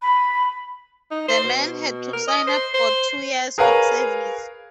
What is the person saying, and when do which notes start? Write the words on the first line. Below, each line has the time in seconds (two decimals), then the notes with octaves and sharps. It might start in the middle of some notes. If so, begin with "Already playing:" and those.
The men had to sign up for two years of service.
0.02 B5
1.11 D#4
1.28 C5
1.43 B2
2.13 A#4
2.28 D#5
2.47 C5
2.74 C5
3.58 G#4 A#4 B4 C#5 F5 A#5